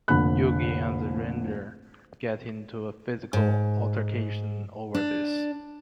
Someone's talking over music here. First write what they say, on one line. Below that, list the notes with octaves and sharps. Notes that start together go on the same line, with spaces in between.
Yogi and the Ranger get into a physical altercation over this.
F1 A#1 D3 B5 F#6
G#2
D4